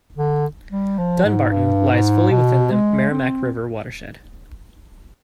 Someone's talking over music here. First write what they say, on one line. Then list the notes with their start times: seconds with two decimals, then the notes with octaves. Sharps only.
Dunbarton lies fully within the Merrimack River watershed.
0.18 D3
0.72 G3
0.98 F3
1.25 G#2
1.51 G2
1.91 G#2
2.31 B2
2.71 G#3
3.11 C4